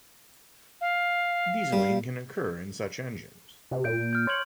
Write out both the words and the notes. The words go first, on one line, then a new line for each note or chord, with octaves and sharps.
Dieseling can occur in such engines.
F5
G3
C3
A#2 G6 D7
F6 G6
C#5 C6 G#6 F#7